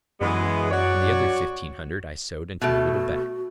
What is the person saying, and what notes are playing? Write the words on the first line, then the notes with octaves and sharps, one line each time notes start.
And the other fifteen hundred I sewed into a little bag.
F#2 E3 G#3 B3
F#4 C#5 D5
B2 A3 F#4